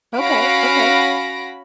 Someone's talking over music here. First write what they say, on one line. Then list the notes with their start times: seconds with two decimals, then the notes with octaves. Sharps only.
Okay, okay.
0.18 C#4 F#4 F5 B5 A#6 D7